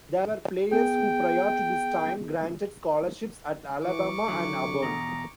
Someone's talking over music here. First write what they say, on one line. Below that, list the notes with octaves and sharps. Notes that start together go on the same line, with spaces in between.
There were players who, prior to this time, granted scholarships at Alabama and Auburn.
B3 G#4 G5
E3 C#6 D6
D3 F#3
E2 B2 A#5